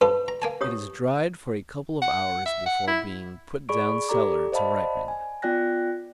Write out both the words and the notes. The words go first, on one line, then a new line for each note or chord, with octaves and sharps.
It is dried for a couple of hours before being put down cellar to ripen.
G2 B3 A4 B4
A#5
A#3 G#5 A5
G4 C#5 D#6
F#5
E5
F#5
E4
G#4 D5 B5 C#6 D7
G4 A4 D5 A#5 D6
C5 D5 D#5 F5 A5 B5
G#5
B3 F4 D5 G5 F#6 A#6